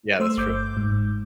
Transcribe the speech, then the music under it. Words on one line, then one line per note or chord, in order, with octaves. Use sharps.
Yeah, that's true.
A3 C5 C6 E6
G1 D6 G6
G#2